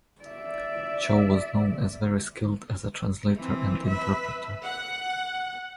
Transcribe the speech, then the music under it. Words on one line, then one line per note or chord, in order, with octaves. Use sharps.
Choe was known as very skilled as a translator and interpreter.
D5 E5
E3 C4
B4 E5
F#5